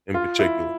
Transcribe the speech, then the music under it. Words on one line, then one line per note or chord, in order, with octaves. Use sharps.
in particular?
F4
E4